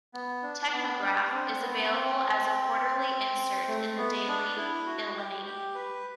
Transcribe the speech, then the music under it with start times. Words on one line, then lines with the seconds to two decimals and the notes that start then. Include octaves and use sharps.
"Technograph" is available as a quarterly insert in the "Daily Illini".
0.14 B3
0.43 D4
0.72 B3
1.02 D4
1.32 C4
1.61 B3
1.91 C4
3.68 A3
3.98 B3
4.28 D4
4.57 E4
4.86 F#4
5.16 G4
5.46 G4
5.75 B4